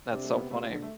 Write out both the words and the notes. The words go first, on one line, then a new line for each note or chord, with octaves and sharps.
that's so funny.
C3 D4
A3
B3
C3 A3
D3
A3